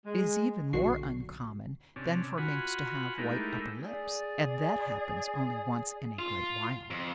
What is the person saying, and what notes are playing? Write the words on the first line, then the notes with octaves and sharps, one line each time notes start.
It is even more uncommon than for Minks to have white upper lips, and that happens only once in a great while.
G#3
B1 D3 F#4 C#6 C7
C3 C#4 D4
F4 F#4 F#5 G#5 B5
G#3 A3 D#4 E4 G4 A#4
G#4 D5
F4
F2